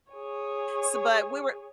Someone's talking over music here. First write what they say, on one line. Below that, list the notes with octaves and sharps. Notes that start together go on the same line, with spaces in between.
s but we were
G#4 C#5